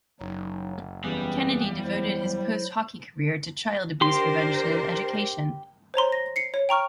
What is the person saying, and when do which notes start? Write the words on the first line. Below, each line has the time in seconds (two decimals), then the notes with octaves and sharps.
Kennedy devoted his post hockey career to child abuse prevention and education.
0.21 F#1 F#3 D#4
1.04 E2 G3 C#4 G#4 B4
1.84 F#3 E4 C5
4.01 D4 G4 A#4 C5 C6
5.94 C5 C#5 A#5 C6
6.12 A#6
6.36 C7 C#7
6.54 C#5
6.69 G5 A#5 C#6 F6